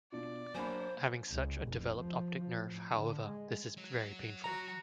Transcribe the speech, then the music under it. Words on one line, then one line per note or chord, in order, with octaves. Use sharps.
Having such a developed optic nerve, however, this is very painful.
B2 D4 F4 D5
F#3 A#3 D4 C5 G#5 B5
C#2
F1
F3
A2
D3
G#3
F#3
F#4 A#5